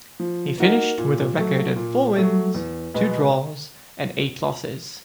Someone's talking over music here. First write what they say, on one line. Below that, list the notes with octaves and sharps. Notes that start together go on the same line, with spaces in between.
He finished with a record of four wins, two draws, and eight losses.
F3
A#3 D#4 F#4 A#4
A#2
F#3 A3
A#2
F#3 A3
E2
B2 G#3 B3